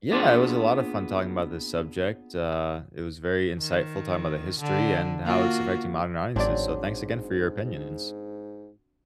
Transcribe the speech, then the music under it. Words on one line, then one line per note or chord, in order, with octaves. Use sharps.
yeah, it was a lotta of fun talking about this subject, uh, it was very insightful talking about the history and how it's affecting modern audiences, so thanks again for your opinions.
A#3 B3 D4 F4 G#4
D#3
D3
A#3 F4 F#4
A1 G#2 F#3 C4 D4 D5